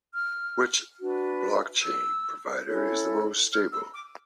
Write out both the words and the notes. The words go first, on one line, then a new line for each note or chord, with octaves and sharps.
Which blockchain provider is the most stable?
F6
D4 F#4 B4
E6
C#4 E4 A4 C#5
F6
E6
D6